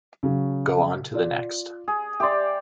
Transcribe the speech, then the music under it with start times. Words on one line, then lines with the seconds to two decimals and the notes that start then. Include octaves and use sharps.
Go on to the next.
0.23 C#3 F#3
1.14 F4 D5
1.88 G#4
2.20 G4 D5 E5 C6